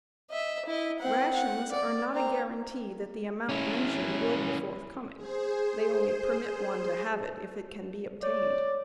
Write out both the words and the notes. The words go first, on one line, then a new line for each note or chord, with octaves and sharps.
Rations are not a guarantee that the amount mentioned will be forthcoming; they only permit one to have it if it can be obtained.
D#5 E5
E4 D#5
C4 F#5
F#5
D5
C4 A#5
C#4 E4
G#4 C5
C#5 D5